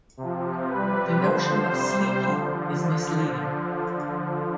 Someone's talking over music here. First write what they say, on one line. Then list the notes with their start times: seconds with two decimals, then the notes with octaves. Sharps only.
The notion of "sleepy" is misleading.
0.17 C3
0.23 F3
0.69 C3 G3 B4
1.20 D3 F3 C5
1.71 C3 G3 C5
2.23 D3 F3